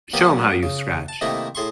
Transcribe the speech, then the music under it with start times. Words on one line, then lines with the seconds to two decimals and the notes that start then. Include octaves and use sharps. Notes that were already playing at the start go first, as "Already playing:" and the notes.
Show 'em how you scratch.
0.14 F#3 A#3 B3 G4
0.63 C#3
1.08 A5
1.21 C3 D#3 A3 A#3 D#4 E4
1.55 A2 G#4 C6 C#6